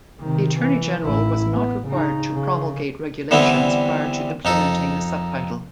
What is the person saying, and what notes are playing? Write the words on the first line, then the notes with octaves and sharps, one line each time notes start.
The Attorney General was not required to promulgate regulations prior to implementing the subtitle.
C3 D#3
E3
A1 E4
B3
C#3 D#4
C#3
D3 E3 G3 B3 C4 E4
F2 D#4 A4